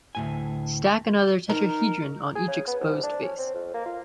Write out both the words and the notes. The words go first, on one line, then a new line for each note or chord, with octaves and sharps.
Stack another tetrahedron on each exposed face.
D2 A2 G#5
D#4 A#4
G#4
C#3
B3
C2
D4
C#4
C4
F2
A#3
F4